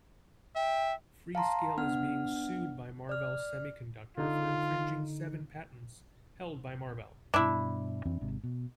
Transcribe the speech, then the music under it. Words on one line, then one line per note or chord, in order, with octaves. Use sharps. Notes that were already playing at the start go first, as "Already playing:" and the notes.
Freescale is being sued by Marvell Semiconductor for infringing seven patents held by Marvell.
E5 G5
F5 A5 A#5 C6
B3 D4 F#5 F6
D5 F6
D3 D#4 F4
G2 B2 D4 E4
F2 E3 C4
G#1 G#2 C3
B2